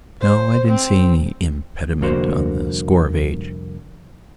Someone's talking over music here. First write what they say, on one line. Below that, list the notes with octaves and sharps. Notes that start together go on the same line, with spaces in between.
No, I didn't see any impediment on the score of age.
C5
C4
C2 F2 D3 A#3 F#4 C5